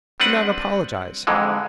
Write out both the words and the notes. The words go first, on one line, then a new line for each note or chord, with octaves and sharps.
Do not apologize.
G3 C4 D4 B4 F#5
F2 G#2 D3 E3 G#3